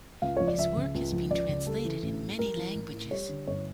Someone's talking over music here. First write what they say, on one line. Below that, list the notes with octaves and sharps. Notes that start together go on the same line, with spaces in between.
His work has been translated in many languages.
C#2 F5
F3 C#5
D5
C#2 E5
C#3
C#2
F3
C#2 D5
C#3
G3 A4
E3
A1
A2
G3 A#4
E3
A1
A2
G3 C#5
D3
G1 C#5